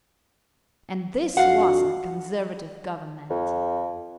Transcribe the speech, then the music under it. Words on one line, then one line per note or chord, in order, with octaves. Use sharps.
And this was a Conservative Government!
F2 D4 F#4 F5 F#5
F2